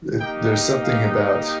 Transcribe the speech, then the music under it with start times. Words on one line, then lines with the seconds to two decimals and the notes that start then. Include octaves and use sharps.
a there's something about,
0.19 A#3 D#4 G4 G5
0.51 G5
0.83 F5